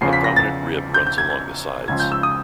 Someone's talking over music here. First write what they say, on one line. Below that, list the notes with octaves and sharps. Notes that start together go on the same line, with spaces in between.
A prominent rib runs along the sides.
E2 C#3 F3 C7
B6
A#6
A6
G6
G6
G#6
G#6
C#2 C#3 F3 G#6
G6
E6
D#6